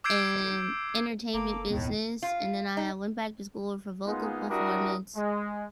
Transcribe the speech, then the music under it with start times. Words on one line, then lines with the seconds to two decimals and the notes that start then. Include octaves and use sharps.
and entertainment business, and then I, uh, went back to school for vocal performance.
0.04 D6 E6 G6 G#6 C7 D7
1.34 F#1 A#3 A4 D6
1.70 E1 C#2 A2 D#3 B3
2.23 F4
2.77 D#4
4.06 G#3 A#3 B3 D#4 F4 G#4
4.49 G3 D4 E4 F#4 A#4 D#6
5.16 G#3